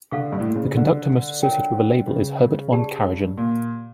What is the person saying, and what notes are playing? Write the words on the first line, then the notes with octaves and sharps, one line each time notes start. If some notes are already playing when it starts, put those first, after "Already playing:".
The conductor most associated with the label is Herbert von Karajan.
D3 A4 D5 F5 C#6
G2
A2
A#2
C#3
D3
F4 A#4 C#5 G5
C#3
G4 D5 A5
A#2